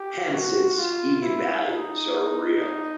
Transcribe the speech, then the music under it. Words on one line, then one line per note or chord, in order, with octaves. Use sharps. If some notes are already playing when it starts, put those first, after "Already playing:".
Hence, its eigenvalues are real.
Already playing: G4
F#4
F4
E4
D#4
D#4